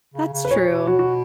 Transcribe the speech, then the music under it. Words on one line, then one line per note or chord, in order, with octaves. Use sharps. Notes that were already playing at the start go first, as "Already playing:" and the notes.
That's true,
C#3
C#3
B4
A#2 C#5
B2
F#4
F#4